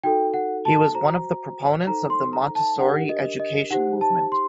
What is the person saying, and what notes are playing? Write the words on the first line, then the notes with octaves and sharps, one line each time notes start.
He was one of the proponents of the Montessori education movement.
D#4 F#4 A4 G5
F#5
A5
F#4 C5 A#5
D#4 A4 C5 A#5
C6
A#5
A5
D4 G4 A#4 F#5
D#5
D#5
D#4 G4 C5 F#5
A5
C6